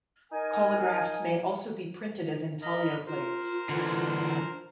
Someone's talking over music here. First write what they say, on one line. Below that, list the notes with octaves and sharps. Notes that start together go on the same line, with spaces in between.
Collagraphs may also be printed as intaglio plates.
D#4 A#4 G#5
A#4 D#5 B5
F4 A#4 C5
D3 E3